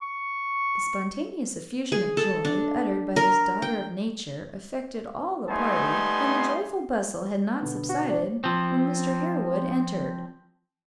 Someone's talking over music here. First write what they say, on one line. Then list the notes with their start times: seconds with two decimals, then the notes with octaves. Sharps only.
The spontaneous effusion of joy, uttered by this daughter of nature, affected all the party, and the joyful bustle had not subsided when Mr. Harewood entered.
0.02 C#6
1.92 G#4
2.17 A4
2.45 D4
3.16 A#4
3.62 G5
5.49 G3 A3 B3 D#4 G#5 C6
7.60 B2 D3 B3
7.89 F#4
8.09 D4
8.44 F3 C4